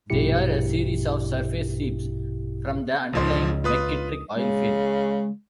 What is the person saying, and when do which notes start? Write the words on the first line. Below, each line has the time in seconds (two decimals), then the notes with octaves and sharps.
They are a series of surface seeps from the underlying McKittrick Oil Field.
0.10 A#1 G2 B2 E4 G4 C#7
3.13 G#1 C#2 F3 C6
3.64 F4 B4 D#6
4.36 C#3 G#3